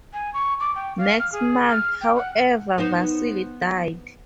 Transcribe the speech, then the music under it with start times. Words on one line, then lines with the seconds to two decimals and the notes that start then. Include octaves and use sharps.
Next month, however, Vasily died.
0.13 G#5
0.34 C#6
0.60 D6
0.75 G5
0.98 F5
1.19 F6
1.32 G#4
1.69 F6
2.01 G5
2.16 F#5
2.78 B3 D#4 C5